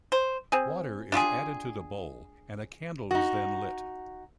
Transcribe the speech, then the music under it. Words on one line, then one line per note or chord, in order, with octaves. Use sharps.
Water is added to the bowl and a candle is then lit.
C5
C4 G#4
D4 F4 G4 G#4
D#4 F#4